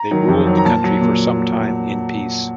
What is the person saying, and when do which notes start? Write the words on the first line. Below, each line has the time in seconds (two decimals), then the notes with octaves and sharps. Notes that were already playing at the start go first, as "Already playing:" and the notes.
They ruled the country for some time in peace.
Already playing: A#5
0.11 D#3 F#3
0.28 F2
0.47 D#3 F#3
0.57 A#5
0.65 A#2 A5
0.84 F#3
1.01 A#2